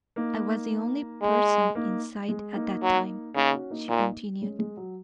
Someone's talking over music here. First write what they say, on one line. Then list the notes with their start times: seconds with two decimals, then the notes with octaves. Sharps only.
"I was the only person in sight at that time," she continued.
0.16 A#3 D#4
1.22 G#3
1.75 A#3 D#4
2.29 G#3
2.55 A#3 D#4
2.83 F#3
3.35 C#3 A#3 D#4
3.53 C#4 F#4
3.70 A#3 D#4
3.88 A#2 A#3 D#4
4.42 G#3 C#4
4.59 G#3
4.77 F#3